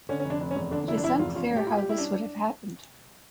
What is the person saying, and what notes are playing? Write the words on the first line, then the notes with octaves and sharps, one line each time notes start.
It is unclear how this would have happened.
D3 C#4
F1 C#4
D4
F1
C#4
E2
D3 D4
F1 E4
D4
F1 E4
E2 F4
C#4 F4
A2 G4
F4
G4
G3
E4
C#4 D4